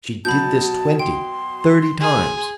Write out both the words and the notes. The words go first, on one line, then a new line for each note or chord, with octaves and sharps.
She did this, twenty, thirty times.
B2 F#3 A5 B5 G6
G5 C6
G#4